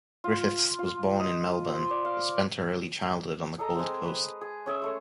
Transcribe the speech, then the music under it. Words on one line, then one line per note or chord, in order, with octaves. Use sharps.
Griffiths was born in Melbourne, but spent her early childhood on the Gold Coast.
F4
F4
D#5
C5
D5
F5
G#4 A4 D#5 A#5
G#3 C4
B4
G#4
C#4 G#4 E5
G#3 A3 C#5